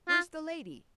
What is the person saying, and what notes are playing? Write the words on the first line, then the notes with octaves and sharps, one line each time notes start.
Where's the lady?
F4